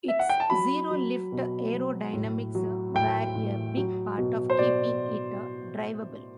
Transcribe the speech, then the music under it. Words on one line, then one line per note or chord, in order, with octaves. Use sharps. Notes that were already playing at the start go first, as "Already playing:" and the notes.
Its "zero lift" aerodynamics were a big part of keeping it drivable.
E5
F#5
G5
A5
F#3 B5
F#3
B2
F#3
A2
F#3
A2 G5
A2
F#3
B2
C5
B2 D5